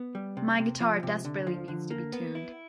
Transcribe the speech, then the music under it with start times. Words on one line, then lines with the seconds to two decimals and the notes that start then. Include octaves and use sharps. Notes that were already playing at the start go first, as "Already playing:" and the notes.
My guitar desperately needs to be tuned.
Already playing: B3
0.15 G3
0.37 C3
0.59 C3
0.80 F3
1.03 C3
1.25 D3
1.47 F3
1.68 D3
1.91 A#3
2.13 B3
2.35 E4